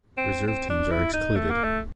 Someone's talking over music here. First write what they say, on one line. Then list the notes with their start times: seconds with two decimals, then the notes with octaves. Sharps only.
Reserve teams are excluded.
0.17 C4
0.47 C4
0.70 D4
0.91 E4
1.14 D#4
1.36 A3
1.50 A#3
1.64 A3